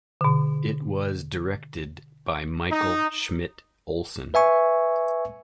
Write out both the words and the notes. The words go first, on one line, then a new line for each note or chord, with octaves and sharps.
It was directed by Michael Schmidt-Olsen.
B2 D3
D#4
B4 E5 G#5 C#6